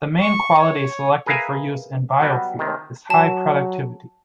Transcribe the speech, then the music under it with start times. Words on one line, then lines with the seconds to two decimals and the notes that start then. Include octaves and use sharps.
The main quality selected for use in biofuel is high productivity.
0.21 C#6
0.59 C#5
1.26 G#4 A#4 B4 E5 F5 G#5
2.20 F#3 G3 B3 F#4
2.59 C3 D#3
3.10 F#3 A5